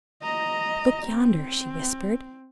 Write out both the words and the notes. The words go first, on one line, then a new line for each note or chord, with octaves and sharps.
"Look yonder," she whispered.
D#5 A#5
C4